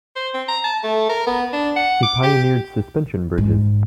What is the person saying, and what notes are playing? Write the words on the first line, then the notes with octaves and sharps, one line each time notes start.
He pioneered suspension bridges.
C5
C4
A#5
A5
A3
A#4
B3
D4
F#5
D6
G4
G#2